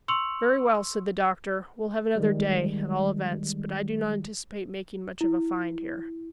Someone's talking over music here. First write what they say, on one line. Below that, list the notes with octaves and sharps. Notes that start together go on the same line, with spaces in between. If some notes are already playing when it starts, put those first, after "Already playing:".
"Very well," said the doctor; "we'll have another day, at all events; but I do not anticipate making much of a find here."
C6 C#6 E6 C#7 F7 F#7
D#3 G3 G#3
E4